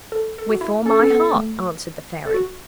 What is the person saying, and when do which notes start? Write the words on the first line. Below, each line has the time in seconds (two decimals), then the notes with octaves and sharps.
"With all my heart," answered the fairy.
0.12 A4
0.38 A4
0.50 F#4
0.61 E4
0.85 C#4 A4
0.99 C#4
1.10 B3
1.35 A3
2.26 A4
2.34 F#4